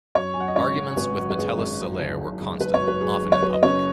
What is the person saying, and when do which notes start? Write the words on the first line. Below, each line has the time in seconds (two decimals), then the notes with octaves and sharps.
Arguments with Metellus Celer were constant, often in public.
0.15 F#2 C#5 C#6
0.34 F#2 G#5
0.40 F#5
0.48 D#5
0.56 G#1 C#4 C#5
0.76 C#3
0.96 G#1 B4
1.18 F#2
1.30 B4
1.38 G#1 G#4
1.58 G#1
1.79 F#2
1.99 F#1
2.20 F#1
2.41 F#1
2.61 F#1 B4
2.74 C#5
2.82 F#3
2.88 B4
3.01 F#3 G#4
3.23 F#2
3.32 C#5
3.42 F#3 B4
3.53 D#5
3.63 F#1 C#4 C#5